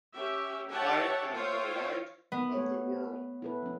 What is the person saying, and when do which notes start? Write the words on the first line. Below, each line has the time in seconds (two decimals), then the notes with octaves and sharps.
I am the light of the world.
0.15 C#4 G4 E5
0.71 G4 C#5 E5 F#5 G5 A5
1.32 F4 C5 C#5 E5 F5 G5
2.32 B3
2.53 A3 A4 C#5
3.42 E4 A4 B4
3.62 F3 C#4